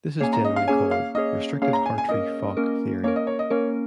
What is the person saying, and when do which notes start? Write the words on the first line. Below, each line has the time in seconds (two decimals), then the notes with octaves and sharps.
This is generally called Restricted Hartree-Fock theory.
0.20 A#3 C#4 G#4 C#5 G#5
0.33 A#5
0.45 D#5
0.56 F5
0.68 A#3 C#4 G#4 C#5 G#5
0.91 F5
1.15 A#3 C#4 G#4 C#5 D#5
1.62 A#3 C#4 G#4 C#5 F5
1.73 A#5
1.86 G#5
1.98 G#5
2.09 A#3 C#4 A#4 D#5
2.57 A#3 C#4 A#4
3.03 A#3 C#4 A#4 C#5
3.16 D#5
3.27 C#5
3.39 D#5
3.50 A#3 C#4 A#4 C#5